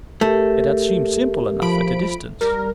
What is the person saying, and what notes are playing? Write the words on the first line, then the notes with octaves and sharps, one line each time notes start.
It had seemed simple enough at a distance.
A3 G4 A#4
F3 B5 D7
G3 A#4